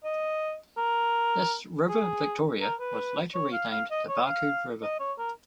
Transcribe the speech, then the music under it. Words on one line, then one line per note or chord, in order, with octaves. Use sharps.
This "River Victoria" was later renamed the Barcoo River.
D#5
A#4
G#4
A#4
B4
C#5
F5
F5
D#5
C#5
F5
D#5
C#5
A#4